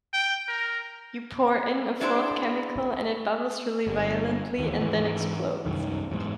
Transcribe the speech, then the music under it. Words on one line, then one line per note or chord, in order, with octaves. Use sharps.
You pour in a fourth chemical, and it bubbles really violently, and then explodes.
G5
A#4
F#3 D4 E4 G#4 A4 C5
G1
D#2 D#3 E3
G#2 E3
C2 F#2 D#3
E2 G#2